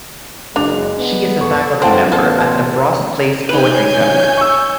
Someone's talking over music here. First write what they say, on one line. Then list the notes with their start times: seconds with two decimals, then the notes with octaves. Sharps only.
She is a faculty member at The Frost Place Poetry Seminar.
0.56 F#1 G#3 D4 F7
0.99 B3
1.41 A4 C#6
1.82 F2 C4 F5 F#5 A5
2.12 A1 B3 F4 A4 C5
3.49 D#4 B4 C#5 G#5 G6
4.37 C#6 E6